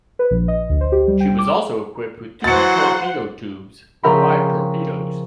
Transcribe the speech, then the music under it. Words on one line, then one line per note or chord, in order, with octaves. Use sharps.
She was also equipped with two torpedo tubes with five torpedoes.
B4
A#1
D#5
D2
C5
G4
G3
G5
D6
E3 F#3 C5 F#5 A6 C#7
C#3 F3 A#4 E5 G5 B5